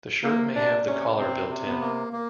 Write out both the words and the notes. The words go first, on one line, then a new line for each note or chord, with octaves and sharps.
The shirt may have the collar built in.
C3 A#3
C3 D4
C3 C#4
C3 C4
C3
B3
A#3
A#3